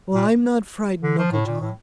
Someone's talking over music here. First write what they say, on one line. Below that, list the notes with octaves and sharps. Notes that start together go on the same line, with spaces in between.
"I'm not frightened, Uncle John."
A#2
D3
F3
A2
A#2
A2